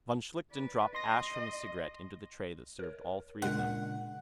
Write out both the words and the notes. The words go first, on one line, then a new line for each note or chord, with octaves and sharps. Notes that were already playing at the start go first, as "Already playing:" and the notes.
Von Schlichten dropped ash from his cigarette into the tray that served all three of them.
B4 D5
D#5 C6 A#6
A#4 C#5
A#2 C#3 G#3 D4 A#4 F#5